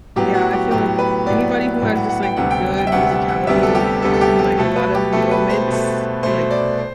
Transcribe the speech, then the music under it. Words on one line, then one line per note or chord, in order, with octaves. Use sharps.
Yeah, I feel like anybody who has just, like, good musicality and, like, a lot of moments, like
A2 F#3 B3 G4
F#4
G4
A2 F#3 B3 G4
B4
A2 F#3 B3 D5
A2 F#3 B3
F#5
F#5
G5
D2 C3 G3 B3 F#5
G5
G5
E5
D2 C3 G3 B3 F#5
F#5
F#5
D2 C3 G3 B3 E5
A4
G4
D2 C3 G3 B3 A4
A4
G4
G4
B2 A3 A4
B4
G4
B2 A3 A4
B4
C5
B2 A3
B2 A3 C5
D5
C5